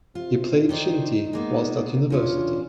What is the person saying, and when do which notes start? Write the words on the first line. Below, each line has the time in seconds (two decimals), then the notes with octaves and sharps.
He played shinty whilst at university.
0.15 C3 F4
0.69 D#3 D4 D#4 C5
1.33 G#3 A#3 B3
2.10 E2 C#4 D4 F4